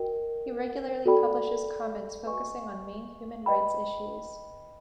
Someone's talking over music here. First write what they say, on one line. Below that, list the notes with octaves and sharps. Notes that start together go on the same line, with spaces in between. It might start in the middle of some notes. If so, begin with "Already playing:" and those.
He regularly publishes comments focusing on main human rights issues.
Already playing: F#4 A#4 D#5 G5
F#4 A4 D5 G5 B5
B4 D#5 G#5 C#6
B4 D#5 G5 B5